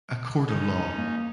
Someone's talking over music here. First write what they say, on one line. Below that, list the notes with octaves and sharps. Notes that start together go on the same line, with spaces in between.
A court of law.
C#4 D#4
A#3